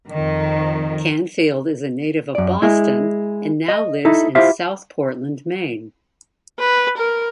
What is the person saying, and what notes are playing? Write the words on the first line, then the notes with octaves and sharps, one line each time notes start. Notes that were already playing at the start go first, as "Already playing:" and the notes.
Canfield is a native of Boston, and now lives in South Portland, Maine.
F2 D#3
F#2 D5
G#3 E4
D#5
D#4 E4 A4
E4 F4 G4 C5 E5 F5
B4
A#4